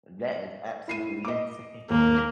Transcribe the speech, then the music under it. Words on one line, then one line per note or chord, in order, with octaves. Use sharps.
That is absolutely insane.
E4 C7 D#7
D#5 D6
D#2 A#3